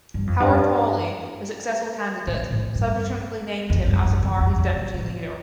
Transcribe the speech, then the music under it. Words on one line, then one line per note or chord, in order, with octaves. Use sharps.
Howard Pawley, the successful candidate, subsequently named him as the party's deputy leader.
G2
F2
G2
A2
A2
G2
F2
G2
G2
F2
F2
G2
A2
C3